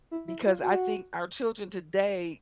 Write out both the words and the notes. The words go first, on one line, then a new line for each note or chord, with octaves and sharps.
Because I think our children, today,
E4
E4
F4
F#4